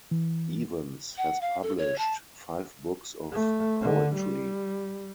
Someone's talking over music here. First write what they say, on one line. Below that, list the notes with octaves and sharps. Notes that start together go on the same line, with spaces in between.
Evans has published five books of poetry.
E3
F#5
F5
A4
C#5
A5
A3
D3
G3